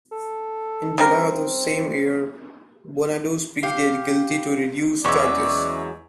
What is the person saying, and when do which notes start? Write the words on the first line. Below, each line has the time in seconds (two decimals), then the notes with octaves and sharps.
In July of the same year, Bonaduce pleaded guilty to reduced charges.
0.12 A4
0.98 C#3 G3 C4 A#4
3.63 G4 F5
5.04 E2 E3 F#3 G#3 C#4 D5 E5 C#6